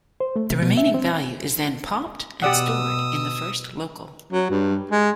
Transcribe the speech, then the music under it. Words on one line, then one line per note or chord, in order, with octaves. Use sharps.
The remaining value is then popped and stored in the first local.
C5
A3
C3
B2
E5
C4
B2 G4 D5 F#5 D#6 E6
F#3
G2
G#3